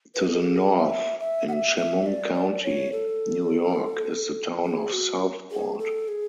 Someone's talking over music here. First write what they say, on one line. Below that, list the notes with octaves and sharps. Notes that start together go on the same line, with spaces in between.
To the north, in Chemung County, New York, is the town of Southport.
B4
A4
G#4
E5
E5
F#5
E5
E5
D5
D5
C#5
A4
G#4
F#4
G#4
A4
G#4